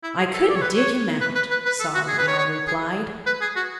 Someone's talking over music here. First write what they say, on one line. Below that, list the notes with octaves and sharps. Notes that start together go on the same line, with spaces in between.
"I couldn't dig him out," Solomon Owl replied.
E4
G#4
A4
D5
C#5
B4
C#5
B4
B4
B4
B4
A4
F#4
G#4
B4
C#5
C#5
G#4
B4
G#4
F#4